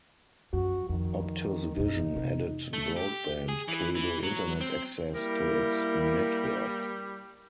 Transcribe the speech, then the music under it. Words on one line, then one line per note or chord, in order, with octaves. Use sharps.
Optus Vision added broadband cable internet access to its network.
F#2 F#4
F2 D#3
F#2 B2 D#4
C3
A3
G4
G#4
E3
E3
F#3
C4
G3 A#3 E4 A#4